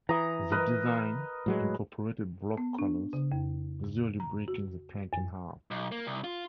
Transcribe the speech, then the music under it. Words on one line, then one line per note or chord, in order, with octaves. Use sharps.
The design incorporated block colours, visually breaking the tank in half.
E3 A#5 D#6
A#4 B4 D#5
A2 F#3 G#3
B3
D4
C#3
F2
A#5
F#4
F#2
B1
A#3
C2
F4